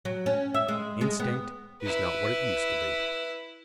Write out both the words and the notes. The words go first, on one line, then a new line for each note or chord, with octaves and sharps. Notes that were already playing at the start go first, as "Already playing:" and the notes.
Instinct is not what it used to be.
F#3
C#4
E5
G#3
G#3
B3
E4 B4